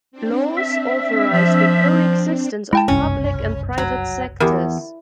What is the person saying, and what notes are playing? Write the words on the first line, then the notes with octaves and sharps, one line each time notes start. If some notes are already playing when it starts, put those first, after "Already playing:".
Laws authorize the coexistence of public and private sectors.
C4 D4
E5
F3
G#3 E4 G5 A5
F#1 C2 G2 C#4
F#3
E2 G4 A#4